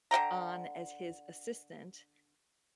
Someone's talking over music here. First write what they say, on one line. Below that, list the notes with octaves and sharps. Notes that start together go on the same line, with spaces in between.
on as his assistant
D3 F#5 G5 A#5